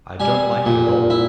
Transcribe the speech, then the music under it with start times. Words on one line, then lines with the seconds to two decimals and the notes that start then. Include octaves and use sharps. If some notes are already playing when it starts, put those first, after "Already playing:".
I don't like it at all.
0.20 G3 G#5
0.66 A#2
1.10 E4